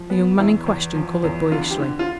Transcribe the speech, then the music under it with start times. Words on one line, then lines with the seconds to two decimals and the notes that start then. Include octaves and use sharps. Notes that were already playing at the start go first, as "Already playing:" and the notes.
The young man in question coloured boyishly.
Already playing: F3
0.10 B3
0.38 E2 E4
0.66 E2
0.95 F3
1.24 E2
1.52 D3 F4
1.71 G4
1.80 D3
1.99 F4